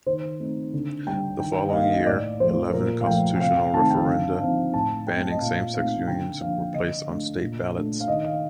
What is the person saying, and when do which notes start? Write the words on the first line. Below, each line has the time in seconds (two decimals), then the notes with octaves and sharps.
The following year, eleven constitutional referenda banning same-sex unions were placed on state ballots.
0.06 D#3 C5
0.39 A3 C4 D#4
0.73 D3
1.07 G3 D4 G5
1.40 D#3 G5
1.57 G5
1.69 D#5
1.73 A#3 D#4 F5
1.90 D#5
2.03 D#5
2.07 A2 D5
2.40 F3 A3 C5
2.74 A#2 A#4
3.01 F5
3.07 F3 A3 G5
3.36 G5
3.40 C3 F5
3.57 G5
3.74 D#3 A3 C4 D#4 A5
3.90 G5
4.07 D3 F5
4.40 F3 C4 D#4 F5
4.74 A2 A5
5.07 A3 C4 G5
5.30 D#5
5.41 A#2 F5
5.74 A3 C4 D#4 F5
6.07 D3 G5
6.41 F3 A#3 D4 F5
6.74 D3 D#5
7.07 A3 D4
7.41 A#2
7.75 A3 D4
8.00 F5
8.08 D#3 D#5
8.24 F5